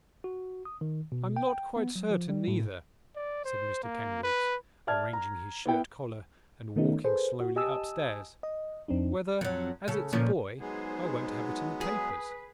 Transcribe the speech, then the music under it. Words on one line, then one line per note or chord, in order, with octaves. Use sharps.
'I'm not quite certain neither,' said Mr Kenwigs, arranging his shirt-collar, and walking slowly upstairs, 'whether, as it's a boy, I won't have it in the papers.'
F#4
D#6
D#3
B2
G5
B3
F#3
F3
G3
A2
D5
C5
A#3
B4
D5 E5 A5 F6 G#6
A#5
B3 E4 G5
D#3 A3 B3 C#4 D#4
G#4 A4 B4 C5
F#4
G4 D#5 G#5 A5 D#6 E6
D#5
F2 C4 D4 D#4
F2 F#3
C#3 A4
A#2 F3 C#4
F#3 G#3 B3 D#4 G#4 C5
G#4 B4